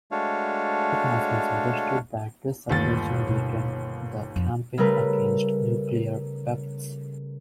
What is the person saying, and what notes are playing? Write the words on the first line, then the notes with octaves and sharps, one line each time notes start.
It has been suggested that this separation weakened the campaign against nuclear weapons.
G#3 A3 D4 F#4 C#5 F5
G1 D#2 A3 E4 A6
B2
F2
C#3 G3 A3 A#4 B4